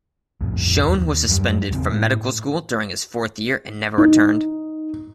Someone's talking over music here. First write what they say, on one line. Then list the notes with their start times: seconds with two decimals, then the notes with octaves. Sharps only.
Shoen was suspended from medical school during his fourth year and never returned.
0.41 B1 F2 A2
0.82 D#2
1.29 F#2 F#3 G3
1.71 E2 C#3 C4
1.89 A2 A3
3.98 D#4